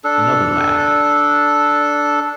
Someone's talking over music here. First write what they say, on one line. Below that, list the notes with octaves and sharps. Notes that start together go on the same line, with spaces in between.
Another laugh.
D4 A4